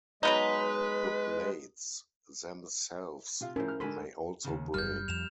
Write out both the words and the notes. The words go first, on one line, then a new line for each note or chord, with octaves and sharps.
The blades themselves may also break.
F#3 G#3 B3 D#4 B4
C3 F4 F5
A2 C#3 F3 C#4 E4 A#4 C5
F6
G#2 D3 F#4 A4 G#5 B5 C6
D#2 A#2 C#3
F#1 G3 F6 G6
F2 E7 F7